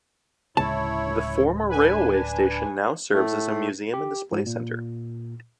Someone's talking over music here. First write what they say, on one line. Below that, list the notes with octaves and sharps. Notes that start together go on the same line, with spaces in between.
The former railway station now serves as a museum and display centre.
D1 C#3 G#3 E4 C#5 A5
D4 B4 G#5
A2 A3
G4
G#2
A#2